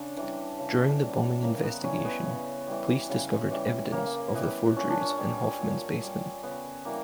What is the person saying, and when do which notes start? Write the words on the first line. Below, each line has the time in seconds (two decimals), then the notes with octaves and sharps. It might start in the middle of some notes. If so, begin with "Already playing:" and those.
During the bombing investigation, police discovered evidence of the forgeries in Hofmann's basement.
Already playing: C#3 D4
0.17 E3 G3
0.58 C#3
1.00 E3 G3
1.42 C#3 A#3
1.63 B3
1.83 E3 G3 C#4
2.05 B3
2.25 C#3
2.67 E3 G3
3.09 C#3
3.51 E3 G3
3.92 C#3 A#3
4.34 E3 G3 B3
4.76 A#2 C#4
4.89 D4
5.01 C#4
5.18 G3
5.60 A#2
6.02 G3
6.43 C#3 B3
6.85 E3 G3 A#3